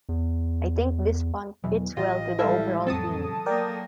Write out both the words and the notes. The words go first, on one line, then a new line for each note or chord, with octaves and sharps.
I think this font fits well to the overall theme.
E2
E2 B2 E3 F#3
A2 E3 F4 G4 D#5
G3 G#3 E4 A4 E5 F5
F2 F#3 C4 A4 A5 D#6
F#3 A#3 A#4 D5 G5